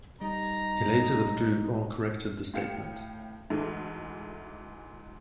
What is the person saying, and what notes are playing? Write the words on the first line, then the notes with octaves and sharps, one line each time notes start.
He later withdrew or corrected the statement.
G3 D#4 A#5
A2 F5 G5 C#7 E7
D2 G#2 E3 G#3 A4